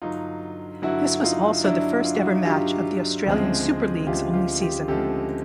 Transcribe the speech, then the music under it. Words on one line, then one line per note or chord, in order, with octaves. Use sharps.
This was also the first ever match of the Australian Super League's only season.
G2 D3 F#3 D#4 F4
G2 D3 F#3 E4 F#4
D#4 F4
G2 D3 F#3 D4 E4
F4
F#4
D#4 F4
G2 D3 F#3 F4 G4
D2 C#3 F3 G#3 C4
D2 C#3 F3 G#3 C4 F4 G4
F4 G4
F4 G4
D2 C#3 F3 G#3 C4 G4 A4